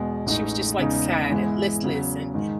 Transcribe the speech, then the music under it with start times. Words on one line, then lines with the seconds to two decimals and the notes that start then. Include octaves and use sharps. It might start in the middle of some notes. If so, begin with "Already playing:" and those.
she was just, like, sad and listless, and,
Already playing: E2 B2 G#3
0.26 A1 A2 G#3 D#4
0.79 E2 C#3 G#3 D#4
1.30 G#2 E3 G#3 B3 E4
1.82 E2 C#3 F#3
2.34 G#2 D#3 G#3